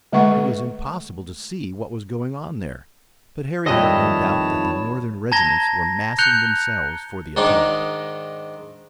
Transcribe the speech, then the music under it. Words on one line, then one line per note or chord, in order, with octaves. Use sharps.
It was impossible to see what was going on there, but Harry had no doubt that the Northern regiments were massing themselves for the attack.
D3 G#3 A3 B4 F#5 C#6
F2 D#3 G3 B3 E4 C#5 D#5 A5
A5 A#5 G#6 A#6 G7
F#6 G6 C#7 F7 G7
G#2 D#3 D4 D#4